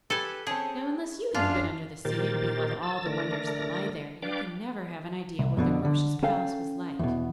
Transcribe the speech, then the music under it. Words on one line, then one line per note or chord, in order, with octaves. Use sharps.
Now, unless you have been under the sea and beheld all the wonders that lie there, you can never have an idea what the Groac'h's palace was like.
G4 A4 B4 G#5
C4 C#4 G#4 C#5 A5
F#2 D4 F4 G#4 F5
A#2 D#3 G4 A#4 C5 A6
A5 E6 A6
D3 A3 A#4 D5 A#6
D4 B4 D5 F5 G5 D6
C2
F2 B2 D3
D3
C#4 A4 F5 G5
E2 B2